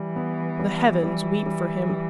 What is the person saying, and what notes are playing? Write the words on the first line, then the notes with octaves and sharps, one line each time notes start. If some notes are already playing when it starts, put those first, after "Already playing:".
The heavens weep for him.
Already playing: E3 G3
B3
G3
G3
G3
G3